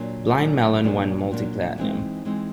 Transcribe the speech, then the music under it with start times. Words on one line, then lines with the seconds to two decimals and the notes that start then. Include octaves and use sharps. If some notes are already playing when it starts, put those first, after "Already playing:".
"Blind Melon" went multi-platinum.
Already playing: A#2 F#3 A#3 D4
0.37 A#2 F#3 A#3 D4
0.84 A#2 F#3 A#3 D4
1.31 A#2 F#3 A#3 D4
1.78 E3 G#3 C4 D#4
2.25 E3 G#3 C4 D#4